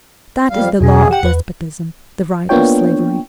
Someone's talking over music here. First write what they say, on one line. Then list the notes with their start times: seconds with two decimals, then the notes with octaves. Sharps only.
That is the law of despotism; the right of slavery.
0.50 F2 G3 F5
0.80 E2 B2 C#4 G#4
1.11 G4 F#5 G5
1.23 E2 B4
2.49 A#3 B3 D4 F4 C#5 G5